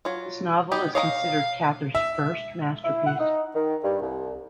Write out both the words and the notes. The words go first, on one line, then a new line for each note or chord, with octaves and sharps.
This novel is considered Cather's first masterpiece.
F#3 F4
B3 D#4 G4
C#5 D#5 F5 A#5
E5
E4
F#5
D#4
D#3
G2
C2